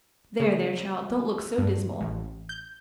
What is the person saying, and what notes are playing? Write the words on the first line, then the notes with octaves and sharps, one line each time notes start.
There, there, child, don't look so dismal.
C#3
G2
A1
G6